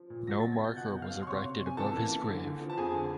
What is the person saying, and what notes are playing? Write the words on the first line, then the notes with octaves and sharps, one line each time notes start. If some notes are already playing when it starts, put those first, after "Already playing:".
No marker was erected above his grave.
Already playing: F3
A#2
F#3 A#6
B2 A6
G#6
B2 G6
B2 F#5 F#6
B2
F5 F6
F#3
C6
C3 C#5 C#6
C3
C3
G#5
E3 A4 A5
A#3
E3
D3
D3
F3
A5
F2 G#4 G#5
D3